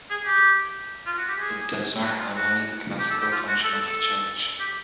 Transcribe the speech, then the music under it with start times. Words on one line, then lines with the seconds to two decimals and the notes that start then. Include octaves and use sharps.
It does not have only the classical function of a church.
0.11 G#4
0.26 G4
1.07 F4
1.18 F#4
1.29 G4
1.39 G#4
2.03 F#4
2.19 F4
2.35 F#4
2.99 G4
3.11 A4
3.21 G4
3.32 F4
3.48 F#4
3.64 A4
3.75 A4
3.85 A4
4.60 G4